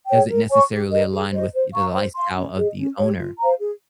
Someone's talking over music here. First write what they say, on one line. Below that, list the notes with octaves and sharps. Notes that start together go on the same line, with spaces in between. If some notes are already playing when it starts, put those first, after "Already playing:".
doesn't necessarily align with e the lifestyle of the owner.
G#4 C#5 G5
A#4
C#5 G#5 C#6
G4
A#4 D#5
G#4
C5 D#5
C5
F5 A#5 C#6
C5
F5 C6
C#4
G#4 D#5
C#4
G4 C#5
F4
C5 F5 A#5
G#4